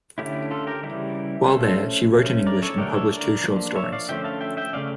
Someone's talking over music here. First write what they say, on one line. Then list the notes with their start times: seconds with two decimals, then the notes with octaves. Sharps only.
While there, she wrote in English and published two short stories.
0.18 D3 A3 C#4 E4 G4
0.51 F4 A4
0.67 G4 A#4
0.83 C#3 E3 G3 E4 G4
1.48 F3 A3 C#4 F4 A4
2.14 F3 A3 C#4
2.46 A#4 D5
2.62 A4 C#5
2.78 D3 A3 D4 G4 A#4
2.94 A4 C#5
3.11 A#4 D5
3.44 F3 A#3 D4
3.75 C#5 E5
3.92 D5 F5
4.09 D3 F3 A3 C#4 E5 G5
4.24 F5 A5
4.41 E5 G5
4.57 E5 G5
4.73 C#3 F3 A3 C#4 D5 F5